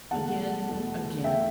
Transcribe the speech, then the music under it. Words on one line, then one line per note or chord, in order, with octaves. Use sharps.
Again! again!
E2 B2 A3 F#5 A5
E2 B2 A3
E2 B2 A3 E5 G5